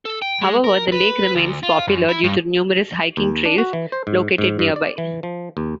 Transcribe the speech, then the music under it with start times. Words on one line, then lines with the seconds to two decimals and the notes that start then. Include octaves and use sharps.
However, the lake remains popular due to the numerous hiking trails located nearby.
0.06 A4
0.22 G5
0.42 G#3
0.64 A#4
0.92 B4
1.35 D2
1.63 F4
1.88 F#2
2.09 E4
2.24 G2
3.17 D#2
3.45 D4
3.58 F#4
3.73 E3
3.92 C5
4.07 G#2
4.38 G#2
4.59 G2
4.76 D5
4.98 E3
5.23 F3
5.57 D#2